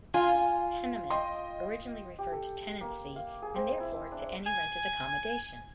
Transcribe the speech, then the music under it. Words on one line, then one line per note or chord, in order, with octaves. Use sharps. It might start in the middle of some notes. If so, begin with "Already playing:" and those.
The term "tenement" originally referred to tenancy and therefore to any rented accommodation.
F4 G#5
D#5 G5 C6
G4
A4
A#3
F5
G#4
C4
E4
D4
G#5